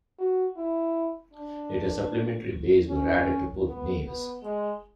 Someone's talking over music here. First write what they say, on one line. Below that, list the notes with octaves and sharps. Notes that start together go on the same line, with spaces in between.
Later, supplementary bays were added to both naves.
F#4
E4
D4
C#4
B3
B3
G#3